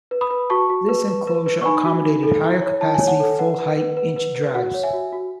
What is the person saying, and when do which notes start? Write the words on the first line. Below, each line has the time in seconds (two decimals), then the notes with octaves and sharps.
This enclosure accommodated higher capacity, full-height -inch drives.
0.11 B4
0.21 B5 D#6
0.31 B4
0.50 F#4 A5 C#6
0.70 F#4
0.89 B4
1.08 B4
1.27 B4
1.46 B4
1.61 C#6
1.65 D#4 G#5 B5
1.85 F#4
2.04 D#4
2.23 A4
2.43 E4
2.62 C#5
2.81 E4 A5
2.94 G#5
3.00 C#5
3.07 F#5 A5
3.20 A4
3.39 B4 F#5
3.58 B4
3.77 B4
3.97 B4
4.16 B4
4.35 B4
4.54 F#4 F#5
4.74 C#5
4.83 E5 G#5
4.93 F#4
5.12 F#4